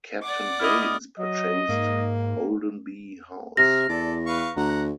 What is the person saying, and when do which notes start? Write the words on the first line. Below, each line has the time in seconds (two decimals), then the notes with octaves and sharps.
Captain Baynes purchased Holdenby House.
0.24 D5 F#5 D6
0.60 E4 D#5 D#6 F6
1.19 F#3 D#5
1.69 G#2 A#3
3.57 C3 F6 A#6
3.89 E2 A4 D5
4.26 B4 F5 C#6
4.57 D2 F#5 A#5